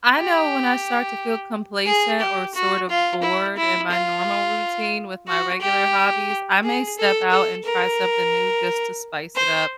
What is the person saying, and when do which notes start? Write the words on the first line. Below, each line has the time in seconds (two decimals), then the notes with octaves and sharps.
I know when I start to feel complacent or sort of bored in my normal routine with my regular hobbies, I may step out and try something new just to spice it up.
0.16 G4
1.86 G#4
2.20 G4
2.55 F#4
2.89 F4
3.22 E4
3.57 E4
3.91 F4
5.28 F#4
5.61 G4
6.64 G#4
6.98 A4
7.31 A4
7.65 A#4
9.36 C5